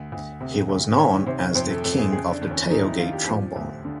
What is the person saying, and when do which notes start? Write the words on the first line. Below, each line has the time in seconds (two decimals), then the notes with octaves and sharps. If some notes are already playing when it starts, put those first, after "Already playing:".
He was known as "The King of the Tailgate Trombone".
Already playing: D2
0.12 D2
0.41 C3
0.69 D2
0.97 D#3 C#5
1.26 C3 C5
1.55 F2 C5
1.70 A4
1.84 F2 A4
1.98 G#4
2.12 C#3 G#4
2.32 D4
2.41 D#2
2.51 C#4
2.70 D#2 D#4
2.84 E4
2.99 D#2 F4
3.13 G4
3.28 F3
3.56 D2
3.85 D3